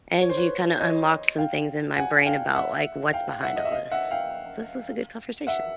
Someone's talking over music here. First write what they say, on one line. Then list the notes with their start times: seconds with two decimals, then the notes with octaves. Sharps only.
and you kinda unlocked some things in my brain about, like, what's behind all this. So this was a good conversation.
0.22 C#5
0.30 C5
0.37 B4 C#5
0.80 C#5 D#5
1.38 F5 G5
1.96 F#5 G#5
2.21 G#5
2.26 F5 G5
2.55 E5 F#5
3.13 F5 G5
3.43 E5 F#5
3.56 D#5
3.65 E5
3.71 D#5 F5
3.92 E5 F#5
4.11 F5 G5
5.47 E5 F#5